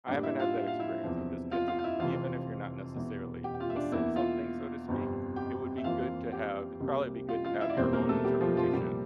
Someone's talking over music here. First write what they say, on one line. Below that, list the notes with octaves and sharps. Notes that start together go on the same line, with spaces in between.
I haven't had that experience, I'm just guessing. Even if you're not necessarily "missing something," so to speak, it would be good to have it'd probably be good to have your own interpretation,
A1 A2 G3 A#3 D4 D5
E4 E5
F4 F5
E5
F5
E4 E5
E2 C3 F3
F4 F5
F4 F5
F5
E4 E5
F1 F2 E3 F4 F5
E1 E2 E3
G4 G5
G5
F4 F5
E5
D4 D5
E2 E3 A#3 E4 E5
F4 F5
G1 F2 C3 G3
G4 G5
E5
F2 E3 A#3 F4 F5
G4 G5
C2 C3 G3 A#3
F4 F5
F4 F5
E4 E5
D5
E1 E2 E3 G3 A#3 C4 C5
A#3 A#4
A3 A4
G3 G4
F3 F4
F3 F4
C2 A#2 F3 G3 A#3 G4